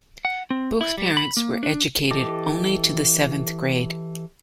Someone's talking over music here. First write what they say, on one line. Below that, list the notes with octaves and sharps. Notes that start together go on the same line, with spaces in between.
Both parents were educated only to the seventh grade.
F#5
C4
E4
G3
B5
A#3
D4
E3 G4 A4 D#5 D6